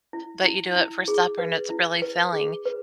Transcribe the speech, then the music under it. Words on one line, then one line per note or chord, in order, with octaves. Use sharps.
but you do it for supper and it's really filling.
E4
E4
E4
G#4
B4
E4
B4
G#4
B4